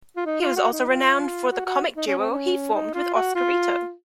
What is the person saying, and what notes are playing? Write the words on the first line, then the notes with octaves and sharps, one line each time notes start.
He was also renowned for the comic duo he formed with Oscarito.
F4
D#4
F4
F#4
D#4
F4
F#4
F#4
D#4
C#4
C4
C#4
D#4
F4
F#4
F4